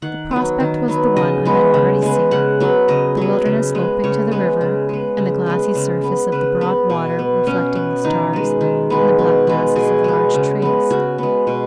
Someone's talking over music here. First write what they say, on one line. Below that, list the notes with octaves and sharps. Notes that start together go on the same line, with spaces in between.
The prospect was the one I had already seen--the wilderness sloping to the river, and the glassy surface of the broad water, reflecting the stars, and the black masses of large trees.
D#3 F#5
F#3 B3
D#3
F#3 B3
C#3 D#5
G#3 B3
C#3
G#3 B3
C#3 F#5
F#3 B3
C#3 D#5
F#3 B3
C#3
G#3 B3
C#3 C#5
G#3 B3
C#3
G#3 B3
C#3
G#3 B3
C#3
B3
C#3 B4
B3
B2
B3
B2 C#4
B3
D#3 D#4
G#3 B3
D#3
G#3 B3
B2
G#3 B3
B2 G#4
G#3 B3
C#3
G#3 B3
C#3 F#4
G#3 B3
B2